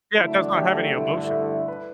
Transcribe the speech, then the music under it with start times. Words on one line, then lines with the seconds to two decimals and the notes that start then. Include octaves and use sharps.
Yeah, it does not have any emotion.
0.19 D3 F#3 A3 E4
0.37 D4
0.56 G4
0.75 A4
0.93 G2 D3 A3 E4
1.68 B4